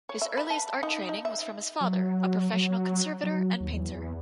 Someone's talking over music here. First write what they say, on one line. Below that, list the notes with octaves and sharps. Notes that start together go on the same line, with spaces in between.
His earliest art training was from his father, a professional conservator and painter.
C#5
E5
B4
A5
D#4
D#4
E5
F#3
F#3
F#3
D#2
E2